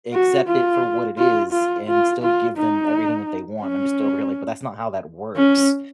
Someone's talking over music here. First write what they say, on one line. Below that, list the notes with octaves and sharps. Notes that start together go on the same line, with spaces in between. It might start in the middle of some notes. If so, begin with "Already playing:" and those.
accept it for what it is, and still give them everything that they want. I'm, just, over here, like, but that's not how that works,
F#4
F4
F4
F4
F4
F4
D#4
C#4
C#4